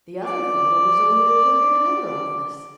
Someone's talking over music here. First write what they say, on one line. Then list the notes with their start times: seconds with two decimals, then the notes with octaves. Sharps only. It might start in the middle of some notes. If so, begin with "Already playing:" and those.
"The other fellow was only a clerk in another office."
0.25 D5 D6